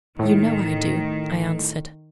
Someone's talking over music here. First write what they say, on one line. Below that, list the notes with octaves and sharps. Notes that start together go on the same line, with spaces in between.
'You know I do,' I answered.
A2 D#3